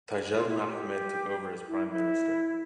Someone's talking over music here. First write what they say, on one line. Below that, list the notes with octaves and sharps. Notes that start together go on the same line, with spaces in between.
Tajuddin Ahmed took over as Prime Minister.
F4
E4
F4
G4
E4
E4